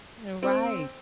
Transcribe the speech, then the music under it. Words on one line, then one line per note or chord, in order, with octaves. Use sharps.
You're right.
C4